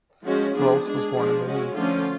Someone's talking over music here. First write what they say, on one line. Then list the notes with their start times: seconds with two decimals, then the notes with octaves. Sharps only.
Rohlfs was born in Berlin.
0.25 F3 G#3 C#4 F#4
0.54 F3 B3 D4 G#4
0.85 G#3 D4 G#4
1.14 F3 G#3 D4
1.45 G#3 C#4 F#4
1.74 D3 F3 A3 C#4 F4